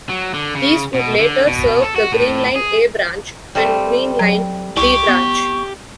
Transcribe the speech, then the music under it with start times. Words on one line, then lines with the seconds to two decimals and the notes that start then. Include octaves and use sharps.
These would later serve the Green Line "A" Branch and Green Line "B" Branch.
0.09 F#3
0.34 D3
0.55 C#3
0.94 B2
1.19 D3
1.47 B2
1.83 A4
1.96 F#4
2.12 A2
2.56 G#4
3.55 G3 A3 C4
4.19 F#3
4.77 C2 G4 C#6
5.08 B3